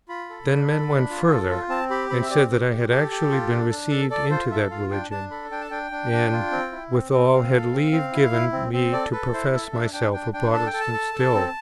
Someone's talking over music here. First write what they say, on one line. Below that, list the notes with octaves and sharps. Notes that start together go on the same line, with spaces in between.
Then men went further, and said that I had actually been received into that religion, and withal had leave given me to profess myself a Protestant still.
F4 B5
A4
D4
A4
D4
F4
A4
F4
C4 A5
G4 B5
C4 B5
E5
G4 D5
G4
G4
G4 A4
G4
F4
D4
D4
A4
A4 D5
F4 C5
A4 E5
F4 F5
D4 G5
D4 A5
A4 B5
D4 G5
A5
D4 G5
D4
D4
F4
C4
E4
C4
C4
C4 F5
A4
C4
C4
E4
E4
C4
C4
A4 D5
A4 B4
E4 C5
A4 E5
D4 E5
D4 G5
D4 G5
D4 G5
A4 A5
G5
A4
A5
A4
A4
C4